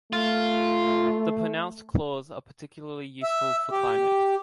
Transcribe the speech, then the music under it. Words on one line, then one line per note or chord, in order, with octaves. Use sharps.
The pronounced claws are particularly useful for climbing.
A3 F4
E5
G4